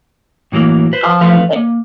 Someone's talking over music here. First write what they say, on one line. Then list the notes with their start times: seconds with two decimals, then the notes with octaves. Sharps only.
um, and
0.52 A2 E3 F#3 A#3
0.93 B4 C5
1.21 F3 A3 B4 F5
1.56 A#3